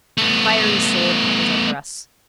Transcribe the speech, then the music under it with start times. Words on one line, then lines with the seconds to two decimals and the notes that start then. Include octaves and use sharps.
A fiery sword hangs over us.
0.17 A3 B3